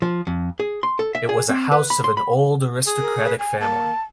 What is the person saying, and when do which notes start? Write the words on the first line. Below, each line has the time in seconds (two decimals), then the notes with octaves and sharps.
It was a house of an old aristocratic family.
0.02 F3
0.27 F2
0.60 G#4
0.83 C6
0.99 A4
1.15 E5
1.29 G#4
1.49 C4
1.72 B4
1.90 B5
2.04 C6
2.17 B5
2.87 G#4
3.01 A#4
3.24 B4
3.39 G#5
3.60 A#3 A5